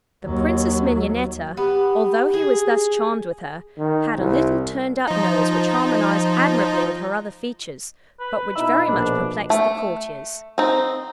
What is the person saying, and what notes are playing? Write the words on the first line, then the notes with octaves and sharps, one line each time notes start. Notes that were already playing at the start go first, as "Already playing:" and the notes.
The Princess Mignonetta, although he was thus charmed with her, had a little turned-up nose which harmonized admirably with her other features, but which very much perplexed the courtiers.
D#2 F#3
B3 G4
G#4
D#3
C2
F3 D#4
B4
B2 D#4 E4 D#5 E5 B5
A#1 B2 A#3 D4 B4
A3
C4 D#4